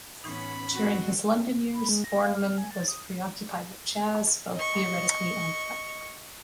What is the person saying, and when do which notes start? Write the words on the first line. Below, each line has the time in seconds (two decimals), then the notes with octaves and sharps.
During his London years Borneman was preoccupied with jazz, both theoretically and practically.
0.24 A2 E3 B3 C#4 D#4 B5
0.73 C4 F#4
1.73 B5
1.89 G#3
2.04 A#6
2.21 F5
2.35 F6
2.58 G#5
2.71 A6
2.88 D#6
4.54 D#5 C#6